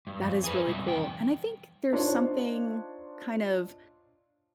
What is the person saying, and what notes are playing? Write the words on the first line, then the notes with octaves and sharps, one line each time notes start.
That is really cool, and I think there's something, kind of,
G2
F2
G#4 B4
B2 G3
E2 G5
D4 D#4 F4 C5 C#5